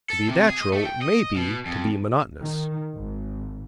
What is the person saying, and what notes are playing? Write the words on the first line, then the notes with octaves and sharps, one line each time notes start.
To be natural may be to be monotonous.
A4
C3
G#4
D#5
A3
G5
D#5
B2
F2
D#3
G#1